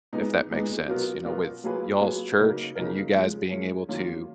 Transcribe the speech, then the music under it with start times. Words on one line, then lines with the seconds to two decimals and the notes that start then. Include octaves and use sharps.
if that makes sense, you know, with y'all's church and you guys being able to,
0.13 A#2 G#3 B3 D#4
0.51 A#2 G#3 B3 D#4
0.88 B2 F#3 B3 F4 A#4
1.25 B2 F#3 B3 F4 A#4
1.64 F#3 A#3 F4 G#4 B4
2.00 F#3 A#3 F4 G#4 B4
2.38 C#3 F#3 A#3 D#4 A#4
2.75 C#3 F#3 A#3 D#4 A#4
3.14 F3 G#3 C#4
3.51 F3 G#3 C#4
3.89 F#2 D#3 A#3 C#4 F4